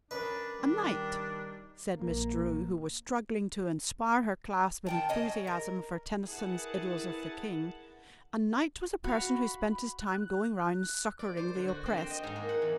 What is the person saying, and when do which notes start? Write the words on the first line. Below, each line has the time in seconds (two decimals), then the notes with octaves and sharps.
"A knight," said Miss Drew, who was struggling to inspire her class with enthusiasm for Tennyson's "Idylls of the King," "a knight was a person who spent his time going round succouring the oppressed."
0.11 C#4 D4 A#4 B4 D#5
0.58 D#3 G3 D4
1.97 A#1 A#3
4.86 D#3 G5 A5
5.09 C#4 D#5 A5
5.47 A#4
6.26 E4 G#4 A#4 B4 F#5 A5
9.04 F#4 F5 B5
10.00 F#6
11.19 D5
11.37 C5
11.55 D3
11.68 F#4
11.86 C4
11.98 G5
12.10 D#5
12.23 G#2
12.36 A#3
12.49 F#5
12.62 E2